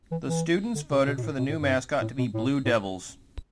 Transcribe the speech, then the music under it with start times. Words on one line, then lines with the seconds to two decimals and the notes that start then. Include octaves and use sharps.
The students voted for the new mascot to be "Blue Devils".
0.11 E3
0.28 E3
0.75 D3
0.91 C3
1.07 B2
1.18 B2
1.23 A2
1.38 B2
1.49 A2
1.60 G2
2.01 A2
2.18 B2
2.34 A2
2.65 A2